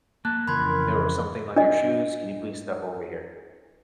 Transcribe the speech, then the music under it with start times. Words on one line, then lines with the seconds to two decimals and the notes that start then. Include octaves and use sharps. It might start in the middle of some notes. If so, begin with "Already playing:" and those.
there was something on your shoes. Can you please step over here?"
0.25 A#3 A5 F#6
0.48 F2 C#3 E3 A#4 B5 C6 G#6
1.56 D4 D#5